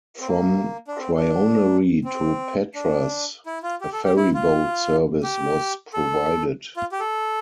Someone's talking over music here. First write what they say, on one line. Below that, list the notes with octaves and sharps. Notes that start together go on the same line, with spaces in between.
From Kryoneri to Patras, a ferryboat service was provided.
C4
A#3
D4
C4
D4
C4
D4
E4
F4
G4
A4
G4
E4
F4
G4
A4
F4
G4
A4